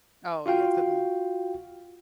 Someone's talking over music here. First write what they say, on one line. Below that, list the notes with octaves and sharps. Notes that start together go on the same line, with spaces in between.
Oh yeah, to them
F4 F#4 F5 G5